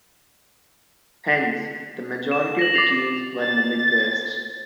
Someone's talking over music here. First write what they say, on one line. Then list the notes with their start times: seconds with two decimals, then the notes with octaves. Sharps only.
Hence, the majority of the teams were in the Midwest.
2.31 E7
2.59 A#6 E7 F#7
2.74 D6 A6 C7 F7
3.40 A6